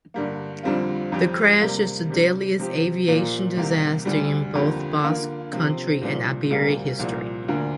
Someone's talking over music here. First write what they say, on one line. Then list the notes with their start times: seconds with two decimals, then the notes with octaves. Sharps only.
The crash is the deadliest aviation disaster in both Basque Country and Iberia history.
0.14 G2 D3 G3 A#3
0.63 F2 D3 G3 C4 F4
1.12 F2 F3 D4 G4
1.61 C3 G3 A#3
2.10 C3 G3 D4
2.59 C3 F3 C4 G4
3.08 A#2 F3 A#3
3.57 C2 C3 A#3 G4
4.05 D2 D3 G3
4.55 F2 D3 A#3 G4
5.04 D3 A#3 D4 F4
5.53 C3 F3 C4
6.02 C2 A#2 F3 D4
6.51 D2 C3 G3 A#3 F4
6.99 C2 A#2 F3
7.48 D2 D3 A#3 D4